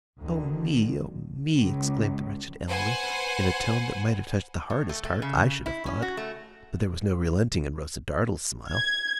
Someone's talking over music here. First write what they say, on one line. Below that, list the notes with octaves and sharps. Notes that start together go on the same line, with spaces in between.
'Oh me, oh me!' exclaimed the wretched Emily, in a tone that might have touched the hardest heart, I should have thought; but there was no relenting in Rosa Dartle's smile.
D2 D3 D#3
C#2
B4 C5 F#5 G#5
A2
A3
A3
C#3
E4
C#4
F#4
A3
G#6